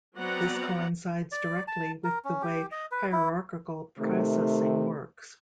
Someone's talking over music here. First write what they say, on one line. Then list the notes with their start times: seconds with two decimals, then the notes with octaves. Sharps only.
This coincides directly with the way hierarchical processing works.
0.16 F#3 B3 C4 D5 F#5 A#5
1.32 D5
1.68 A5
2.04 A#4
2.25 C#4
2.42 G4
2.72 D#5
2.91 B4
3.12 E4
3.99 C3 D#3 A3